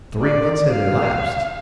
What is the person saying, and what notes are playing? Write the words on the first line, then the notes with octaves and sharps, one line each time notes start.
Three months had elapsed.
D5
F5